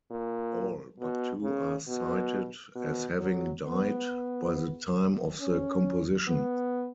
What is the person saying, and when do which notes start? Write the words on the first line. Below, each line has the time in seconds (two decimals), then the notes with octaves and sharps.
All but two are cited as having died by the time of the composition.
0.11 A#2
1.00 B2
1.44 C#3
1.88 B2
2.75 B2
3.20 F#3
3.64 B3
5.40 C#4
6.28 B3